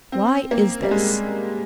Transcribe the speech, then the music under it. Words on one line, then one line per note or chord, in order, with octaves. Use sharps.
"Why is this?"
C4
A#3
G3
G#3